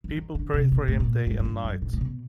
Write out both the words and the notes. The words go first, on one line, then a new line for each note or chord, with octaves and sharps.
People prayed for him day and night.
E3
D#3
D3
C3
B2
A2
A#2
G#2
G#2
G2
F#2
A#2
A#2
B2